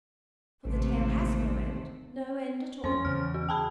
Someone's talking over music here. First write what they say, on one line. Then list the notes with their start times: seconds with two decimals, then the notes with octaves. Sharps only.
For the tale has no end, no end at all.
0.65 A1 D#2 C3 A3
2.84 F2 C#4 C5 C6
3.05 E2 C#3 F6
3.34 F#4
3.49 G#4 G5 A5 B5